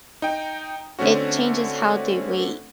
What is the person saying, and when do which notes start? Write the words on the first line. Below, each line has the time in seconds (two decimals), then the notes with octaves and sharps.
it changes how they wait,
0.22 D#4 G5
0.99 D3 A3 C4 C#4 F#4